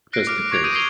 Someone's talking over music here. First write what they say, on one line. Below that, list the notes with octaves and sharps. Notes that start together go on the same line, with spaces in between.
just in case.
F#6 A#6 C7 D7
D6 F6 D7
C#6 D6 G#6 C7 D7 F7
D#6 G6 A#6 D7 D#7 F7
C7 D#7 F7 G7